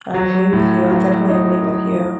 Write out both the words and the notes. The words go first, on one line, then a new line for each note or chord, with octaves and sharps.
I agree with you, I definitely agree with you.
F#3
A2
F#3
D#4
D#4